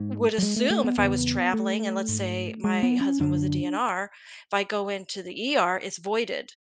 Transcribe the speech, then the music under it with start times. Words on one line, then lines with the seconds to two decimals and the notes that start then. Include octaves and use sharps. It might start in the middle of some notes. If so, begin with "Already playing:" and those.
would assume if I was traveling and let's say my husband was a DNR, if I go into the ER it's voided
Already playing: G#2
0.38 F#3
0.43 G#3
0.56 A3
0.70 A3
0.84 B3
0.98 E2 C#3 B3
1.53 A3
2.09 G#2
2.64 G#3
2.83 B3
3.01 C#4
3.20 F#2 D3 D4